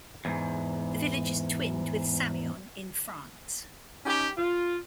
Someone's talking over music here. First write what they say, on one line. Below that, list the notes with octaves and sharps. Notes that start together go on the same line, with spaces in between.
The village is twinned with Sameon in France.
E2 G#2
C#4 D#4 G4
F4